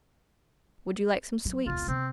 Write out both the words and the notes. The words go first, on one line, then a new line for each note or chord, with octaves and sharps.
Would you like some sweets?
F#3
E1 C2 F4
C3 C4